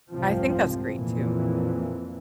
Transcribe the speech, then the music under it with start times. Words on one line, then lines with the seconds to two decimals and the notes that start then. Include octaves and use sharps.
I think that's great, too.
0.11 F1 C2 G#2 F3 C4
0.92 F2 A#2 E3